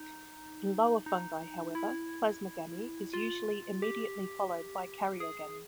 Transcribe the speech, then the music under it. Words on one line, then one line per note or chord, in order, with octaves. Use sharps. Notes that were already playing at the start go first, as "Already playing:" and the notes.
In lower fungi however, plasmogamy is usually immediately followed by karyogamy.
Already playing: D#4
D#4
E4
F4
G4
G#4